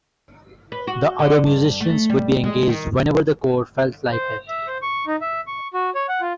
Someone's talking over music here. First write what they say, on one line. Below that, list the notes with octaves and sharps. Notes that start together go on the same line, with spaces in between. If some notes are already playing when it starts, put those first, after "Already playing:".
The other musicians would be engaged whenever the core felt like it.
B4
F#4
D3
G2
A3
G3
G#3
D#3
C5
E5
C5
C#6
D#4
E5
C#6
F#4
C#5
F#5
F4